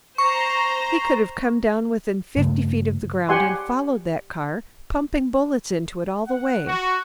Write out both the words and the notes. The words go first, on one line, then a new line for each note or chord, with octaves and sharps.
He could have come down within fifty feet of the ground and followed that car, pumping bullets into it all the way.
C5 A#5 C#6
G2 C#3 A3
G4 F#5 G#5 C6
F#5
F#4